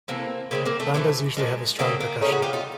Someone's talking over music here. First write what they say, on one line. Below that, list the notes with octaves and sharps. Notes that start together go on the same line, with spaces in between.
Bandas usually have a strong percussion.
C3 E3 A3 A#3 C4
C#3 E3 G#3 A#3 C4
A#3 C4
A3
C3 E3 A3 A#3
A#2 F3 G#3
C#3 F#3 A3 A#3 C4
A#3
C#3 E3 A3 C#4 D#4
F#4 G#4
F4 G4
D#4 F4